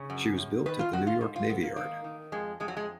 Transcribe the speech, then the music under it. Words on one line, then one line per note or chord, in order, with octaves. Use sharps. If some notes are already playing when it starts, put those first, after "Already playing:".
She was built at the New York Navy Yard.
Already playing: C#3 C#4
F#2
F#2
D#3 B4
F4
D#3 F#4
F4
G#2
F4
G#2 B3
A#3
D#3 A#3
D#3
F2 G#3
F2 G#3
F#3
G#3